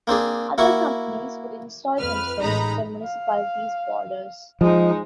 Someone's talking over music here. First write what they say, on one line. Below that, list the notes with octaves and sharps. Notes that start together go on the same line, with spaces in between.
Other companies would install themselves with the municipality's borders.
A#3 C4 D4 G#4
A#3 E4 F#4 C#6
F2 B4 F6
A1 G#3 D#4 A#5 B5
F5
F3 G#3 D#4